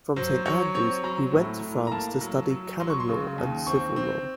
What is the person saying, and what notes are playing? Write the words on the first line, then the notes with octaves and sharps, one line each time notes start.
From Saint Andrews he went to France, to study canon law and civil law.
F#3 C5
F#3 C#5
C4 C#5
F#3 A#5
A2
A2
A#5
A#3 A5
F#3
F#3
F#3 C6
C#6
C6
C#3
D#2
C4 C#6
C4